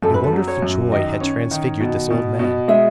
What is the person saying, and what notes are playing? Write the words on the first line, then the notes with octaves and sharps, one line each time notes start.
A wonderful joy had transfigured this old man.
F#2 A4
B4
A4
F#3
C#5
F#2
D#3 D#5
C#4
D#3
B2
B2
B2
G#3 E5